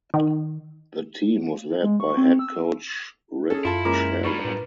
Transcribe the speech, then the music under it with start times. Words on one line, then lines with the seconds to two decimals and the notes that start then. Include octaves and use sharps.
The team was led by head coach Rip Scherer.
0.14 D#3
1.82 G#3
2.00 C#6
2.17 C4
2.39 E6
3.50 C#4 G#4 A4
3.65 F#2 E4 F4 A5
3.85 G#3 A#3 C#4 F4 A#4 D6
4.25 G3 D4 B5 C#6
4.44 A2 B4